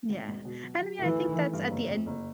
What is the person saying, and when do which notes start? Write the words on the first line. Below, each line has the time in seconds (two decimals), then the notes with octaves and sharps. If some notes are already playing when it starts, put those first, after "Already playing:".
Yeah. And I mean, I think that's at the end
0.10 G#1
0.28 E1
0.45 B2
0.63 F#3
0.81 F#3
0.99 E3 A3
1.18 D#3
1.36 A3
1.53 G2
1.70 F#1
1.90 F2
2.06 F#1